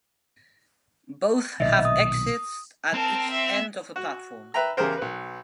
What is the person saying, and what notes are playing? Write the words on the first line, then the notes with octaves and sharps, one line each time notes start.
Both have exits at each end of the platform.
B1 A#2 D#3 D#5 E5
D#6
C4 A#4 A5
E5
F#4
B4 E5 G5 A#5
E2 C#3 G4 G#4 A#4 C5
B1 B4